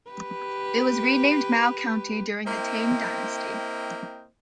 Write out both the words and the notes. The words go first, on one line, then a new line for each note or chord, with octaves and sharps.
It was renamed Mao county during the Tang Dynasty.
G4 B4
A#3 C4 E4 C5 D#5 G5